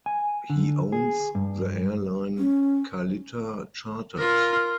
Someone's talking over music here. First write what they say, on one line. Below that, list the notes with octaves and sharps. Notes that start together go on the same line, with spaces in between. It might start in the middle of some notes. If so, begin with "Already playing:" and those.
He owns the airline Kalitta Charters.
G#5
D3
G#4
G2
C#4
F4 A#4